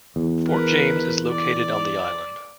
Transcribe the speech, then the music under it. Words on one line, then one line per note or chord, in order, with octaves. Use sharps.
Fort James is located on the island.
E2
A#4 B4
D5